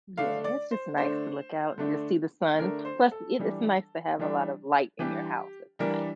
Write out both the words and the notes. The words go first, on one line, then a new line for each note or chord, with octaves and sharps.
Yeah, it's just nice to look out and just see the sun. Plus, it is nice to have a lot of light in your house, it's nice.
D3 A3 D4 F5
D5
C5
D3 A3 D4 C5
D3 A3 D4
D3 A3 D4 A#4
C5
A4
E3 G3 D4
E3 G3 D4
E3 G3 D4 G4
E3 G3 D4 A#4